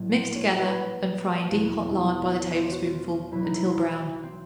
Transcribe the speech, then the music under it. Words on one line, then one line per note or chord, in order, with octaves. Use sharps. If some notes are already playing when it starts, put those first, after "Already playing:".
Mix together and fry in deep hot lard by the tablespoonful until brown.
Already playing: A#1 A2 F#3
C5
C#5
B4
E1 E2 B2 F#3
C#5
C5
F#4
F4
B1 B2 F#3 E4
D#4
E4
C4